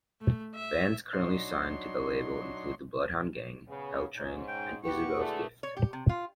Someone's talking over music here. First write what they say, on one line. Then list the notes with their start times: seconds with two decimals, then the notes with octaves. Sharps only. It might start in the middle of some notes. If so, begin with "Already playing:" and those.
Bands currently signed to the label include The Bloodhound Gang, Helltrain, and Isabelle's Gift.
0.21 A3
0.55 E5
1.13 F#3 D4 D#4 C#5 C6
3.68 C#3 B3
4.16 G#2 C#4
4.48 G5
4.84 E4 F#4 G4 B4 F#5 C#6
5.16 D3 A3 G#4
5.63 C#5
5.77 G4
5.93 C3
6.09 F4